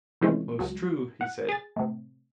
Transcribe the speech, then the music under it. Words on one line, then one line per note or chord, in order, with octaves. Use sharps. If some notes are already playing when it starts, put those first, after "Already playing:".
Most true, he said.
C3 E3 F3 G#3 A3 C#4
C#2 F#3
F#5
G#4 A6
A2 C3